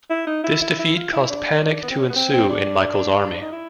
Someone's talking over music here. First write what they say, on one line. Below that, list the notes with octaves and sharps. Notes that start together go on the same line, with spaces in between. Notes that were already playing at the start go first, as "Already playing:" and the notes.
This defeat caused panic to ensue in Michael's army.
E4
D#4
E4
E4
E4
F4
E4
D4
B3
C4
C#4
B3
C4
C4
D4
D#4
E4